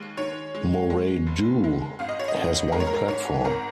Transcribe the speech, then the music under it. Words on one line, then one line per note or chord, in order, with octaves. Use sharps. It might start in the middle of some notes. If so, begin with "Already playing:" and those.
Morradoo has one platform.
Already playing: D#2 G#3
D#3 C#5
G#3
G#3
F1
G#3
G#1 F5
D#5
C#5
D#5
G#1
G#3 A#4
C#5
A#4
G#2 C#5
G#1 A#4